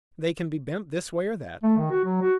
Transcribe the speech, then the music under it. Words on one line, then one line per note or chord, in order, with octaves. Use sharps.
They can be bent this way or that.
A3
D#3
F#4
F#3
F#4